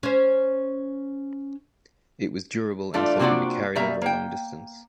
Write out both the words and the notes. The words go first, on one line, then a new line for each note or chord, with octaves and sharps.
It was durable and so could be carried over a long distance.
C#4 C5
E3 A3 D4 F4
C3 A#3 C4 D4 F4 F#4
B2 G3 A#3 E5 A#5
A#3 G5